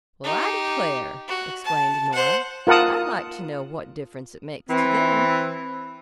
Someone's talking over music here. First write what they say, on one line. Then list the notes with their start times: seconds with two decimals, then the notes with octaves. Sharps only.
"Well, I declare," exclaimed Nora, "I'd like to know what difference it makes to them."
0.24 D#4 G4
1.28 F#4
1.64 A5
2.13 C5 F#5
2.67 F4 A#4 F#5 A5 D#6
4.69 E3 C4